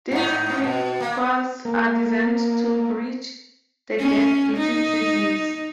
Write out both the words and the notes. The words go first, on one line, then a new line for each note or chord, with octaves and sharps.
These prequels are designed to bridge the gap between seasons.
G#2 D#4
B2
A#3
A#3
C#4
D#4